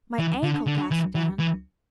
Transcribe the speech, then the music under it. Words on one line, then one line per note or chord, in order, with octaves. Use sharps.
"My ankle," gasped Anne.
E3
D3
D3
E3
E3
E3